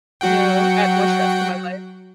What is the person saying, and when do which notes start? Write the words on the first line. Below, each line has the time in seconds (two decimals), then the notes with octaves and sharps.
No, add more stress to my life.
0.21 F#3 F#4 F#5 G5